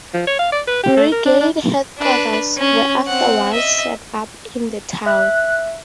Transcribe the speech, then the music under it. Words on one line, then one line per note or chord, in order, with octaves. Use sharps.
Brigade headquarters were afterwards set up in the town.
F3
C#5
F5
D5
B4
G4
A3
A#4
D4
D4
D4 B4
C#4
C4 F#5
D#5 E5
E5 F#6